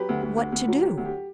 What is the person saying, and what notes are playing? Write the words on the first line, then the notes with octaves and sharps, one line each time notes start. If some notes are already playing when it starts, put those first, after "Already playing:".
"What to do?"
Already playing: F#3 G4 B4
D2
D2
D2
D2
F#3
F#3 G4
D2
G4